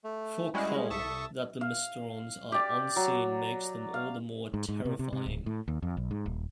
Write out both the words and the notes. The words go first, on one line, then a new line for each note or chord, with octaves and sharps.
For Cull, that the Mysterons are unseen makes them all the more "terrifying".
A3
G3 G#3 C#4 E4 F#4
C2 A4 E5 A5 C#6 D#6
F5
G4 D5
F#3
F5
G#2
G#2
C3
C3
C3
D1
A2
D#2
F2
B1
G#2
D#1